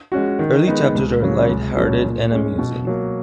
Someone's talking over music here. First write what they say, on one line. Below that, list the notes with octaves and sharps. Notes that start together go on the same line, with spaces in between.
Early chapters are light-hearted and amusing.
G#3 C#4 F#4
D#3
G#3 B3 D#4
C#2
C#3 F#3 A#3
C#2
B2 F#3 C#4
A#2
G#3 C#4
B2
F#3 A#3